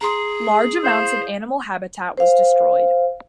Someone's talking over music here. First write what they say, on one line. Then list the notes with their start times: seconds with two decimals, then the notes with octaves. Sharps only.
Large amounts of animal habitat was destroyed.
0.01 G#4 A#5 C6
0.84 E4 C5 F5 E7
2.17 C5 F5